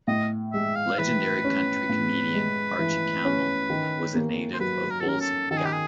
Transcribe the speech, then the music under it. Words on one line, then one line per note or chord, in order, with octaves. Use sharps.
Legendary country comedian Archie Campbell was a native of Bulls Gap.
A2 D#5
G#3 E5
F5
E3 B4
C#4
A2
G#3
E3
C#4
D#3
A#3
C5
F#3 B4
A#4
A4
C#4 A#4
A4
D#3 A4
G#4
G4
G#4